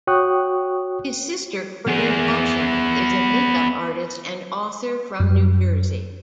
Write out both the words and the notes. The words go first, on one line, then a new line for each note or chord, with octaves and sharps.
His sister Courtney Rashon is a makeup artist and author from New Jersey.
F#4 C#5 G5 C#6 D#6 F#6
B3 G#4
F#2